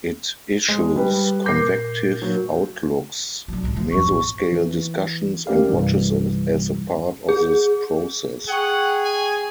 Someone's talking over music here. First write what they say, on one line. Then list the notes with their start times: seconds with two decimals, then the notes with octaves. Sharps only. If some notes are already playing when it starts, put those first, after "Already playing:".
It issues convective outlooks, mesoscale discussions, and watches as a part of this process.
0.69 G#3
0.96 G3 G4 B4
1.46 A#2 A#4 D6 G6 C7
2.22 F#3 A#3
3.48 D3 F#3
3.63 C2 G#2
3.76 D3 F3
3.92 E2 G2 C#6
4.05 A1
4.52 E3
5.47 A3 C#4 G4 A#4 D5 F5
5.69 B1 G2 C3 E3 G3
7.29 G#4
8.49 G#4 F#5 G5 C#6
9.05 G#5